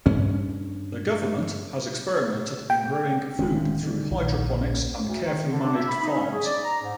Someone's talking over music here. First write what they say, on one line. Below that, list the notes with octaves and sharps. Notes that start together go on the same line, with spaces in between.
The government has experimented in growing food through hydroponics and carefully managed farms.
G2 C#4
G5
D1 D#3 G#3 C#4
D3 G3 D#4
A#1 D#3 E4
D2
A#3 C#4
D2
D#3
D3
D4
E5
B5
D#4
C#4
G#4
D5
A#5
G#2